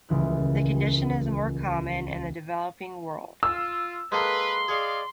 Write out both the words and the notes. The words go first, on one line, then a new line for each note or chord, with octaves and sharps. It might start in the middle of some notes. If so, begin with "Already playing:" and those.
The condition is more common in the developing world.
D#1 C#2 E3 F#6
F4 E6
G#3 A#3 A4 B4 C6
G#4 D5 D#5 F5 C#6